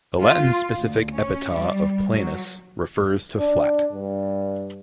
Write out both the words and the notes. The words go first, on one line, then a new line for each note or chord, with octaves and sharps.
The Latin specific epithet of "planus" refers to flat.
F4
D2
C#4
G3
F#3
D4
G2